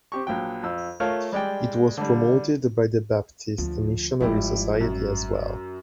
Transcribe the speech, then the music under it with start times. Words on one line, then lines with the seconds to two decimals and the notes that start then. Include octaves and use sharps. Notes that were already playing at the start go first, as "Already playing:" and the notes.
It was promoted by the Baptist Missionary Society as well.
0.12 C4 G4 C#6
0.27 A#1 F#3 G5
0.63 F2 E6
1.00 A3 F4 A#4 C#5 F5
1.32 G3 G#3 D5 G5
1.97 D3 G3
3.58 D2 F3
4.20 G#1 F3 G3 E4 G4
4.81 F#2